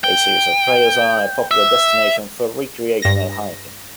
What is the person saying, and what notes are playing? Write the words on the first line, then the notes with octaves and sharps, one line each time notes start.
A series of trails are a popular destination for recreational hiking.
G5
E5
G2 A#6